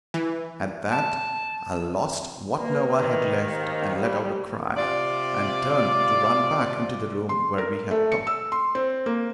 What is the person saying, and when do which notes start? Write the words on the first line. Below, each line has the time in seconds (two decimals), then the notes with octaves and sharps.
At that I lost what nerve I had left, and let out a cry, and turned to run back into the room where we had talked.
0.14 E3
0.90 A5
2.59 A#3 B4
2.98 D#3
3.40 D#2 C5
3.99 G3
4.77 C3 F4 D5
7.29 C6
7.58 A#4
7.91 A3
8.12 C#7
8.27 E6
8.52 C6
8.75 C4
9.06 A#3